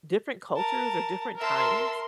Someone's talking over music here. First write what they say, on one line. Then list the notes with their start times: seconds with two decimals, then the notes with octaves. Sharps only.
different cultures, or different times
0.56 A#4 A5
1.39 A#4 E5 A5 C6